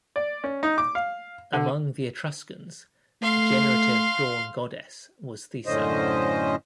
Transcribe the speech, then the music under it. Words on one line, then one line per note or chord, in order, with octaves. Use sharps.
Among the Etruscans, the generative dawn-goddess was Thesan.
D5
C#4
D#4
D6
F5
D3
A3 F5 C6
F#2 A2 D3 C#4 C5 D#5